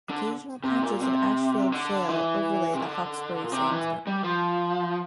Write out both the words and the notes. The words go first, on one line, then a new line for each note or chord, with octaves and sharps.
Occasional patches of Ashfield shale overlay the Hawkesbury sandstone.
D3
C3
A#2
C3
D3
E3
C3
D3
A#2
C3
E3
G3
F3